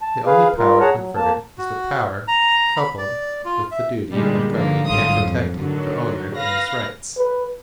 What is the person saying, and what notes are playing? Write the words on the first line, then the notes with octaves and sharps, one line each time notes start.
The only power conferred is the power coupled with the duty of guarding and protecting the owner in his rights.
A5
G#4 B4 F5
G3 F4 A#4
G#4 C#5 F#5 A5 A#5
F#3
A#3 A5
F#4
A#5
B5
D5
F4
E5
A#2 D3 G3 G#3
D3 D#3 F3 A#3
G#1 D3 F#3 G3 F4 D#6
F2
D3 D#3 F#3
B4 F5 A#6
B4